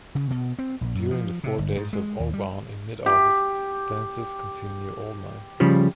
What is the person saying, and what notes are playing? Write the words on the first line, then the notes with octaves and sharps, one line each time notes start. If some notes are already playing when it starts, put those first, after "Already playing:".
During the four days of Obon in mid-August, dances continue all night.
C#3
B2
C4
A#1
F#2
F3
C3
G1
G#2
G#3
D#2
G3
G4
C#3 F3 G3